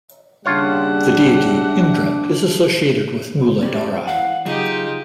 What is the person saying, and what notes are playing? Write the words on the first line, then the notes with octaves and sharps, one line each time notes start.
The deity Indra is associated with Muladhara.
D#2 C#3 G3 D4 F4 C#5 E5 F#5
C#4 G4 D5
E3 F5 F#5
C#3 F#3 D#4 F4 G4 G#4